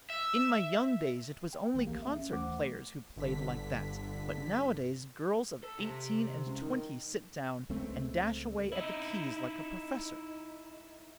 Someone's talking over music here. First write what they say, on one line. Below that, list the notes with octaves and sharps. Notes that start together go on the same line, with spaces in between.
In my young days it was only concert-players who played like that; but nowadays girls of eighteen and twenty sit down, and dash away at the keys like a professor.
E5
G5
A#1 D#3 A3
C#2 E3 A#3 G4 G#4
E5
C#4
D#2 E3 A3 C5 F#5 D6
G1 D3 B6
A4
C3
C#2
D#3
C#2 G#3 A3 C4
D#4 E4